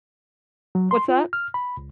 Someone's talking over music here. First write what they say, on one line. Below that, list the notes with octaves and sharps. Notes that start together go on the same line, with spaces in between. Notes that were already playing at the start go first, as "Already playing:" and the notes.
What's that?
F#3
C6
F4
F6
B5
C#2